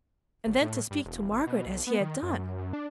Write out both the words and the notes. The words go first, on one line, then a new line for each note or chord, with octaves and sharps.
And then to speak to Margaret as he had done!
G1
A2
G2
E1
G#1
B2
B1
B3
D#3
F#2
F#2
D4